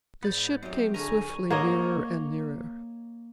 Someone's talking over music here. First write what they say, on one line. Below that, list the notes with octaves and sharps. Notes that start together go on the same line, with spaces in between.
The ship came swiftly nearer and nearer.
G#2 B3 D5 G6
F#2 F#3 C4 G4 D#5
D3 C#4 F#4 G#4 A4 G#5 A#5
A#3 C#5 D#5